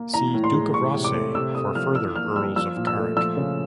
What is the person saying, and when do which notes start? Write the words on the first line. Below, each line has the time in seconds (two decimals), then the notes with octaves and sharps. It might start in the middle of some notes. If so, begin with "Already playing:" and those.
See Duke of Rothesay for further Earls of Carrick.
Already playing: A#3
0.13 E3 A#5
0.34 A2
0.44 C6
0.54 G#3
0.74 E3 C#6
0.95 C3
1.05 D6
1.15 A3
1.35 C3 E6
1.55 A3 D#6
1.75 F3 F6
1.95 E3 E6
2.16 A#3 F6
2.36 G3 E6
2.56 F3 E6
2.76 A#2
2.87 E6
2.97 A3
3.17 F3 E6
3.37 C#3